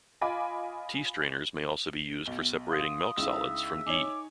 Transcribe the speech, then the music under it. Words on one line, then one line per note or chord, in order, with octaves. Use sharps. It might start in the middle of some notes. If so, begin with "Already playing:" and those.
Tea strainers may also be used for separating milk solids from ghee.
F4 D#5 G#5 B5 D6 D#6
B1 G7
F5 F#5 C6 D#6
C#2 D#4 E4 E5 F5 E7
D#4 C#5 G#5 D6